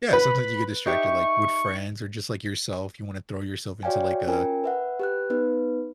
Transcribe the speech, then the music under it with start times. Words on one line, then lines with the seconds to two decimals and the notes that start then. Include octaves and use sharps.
Yeah sometimes you get distracted, like, with friends or just like yourself, you wanna throw yourself into, like, a
0.13 B4 B5
0.86 D#4 G4 E5 C#6
3.83 F#4 C#5 D5 F5 G5 G#5
4.27 C#4 F4 A#4 G5 G#5
4.64 B4 E5 F#5
5.00 G4 B4 F#6
5.30 B3 D#4 B4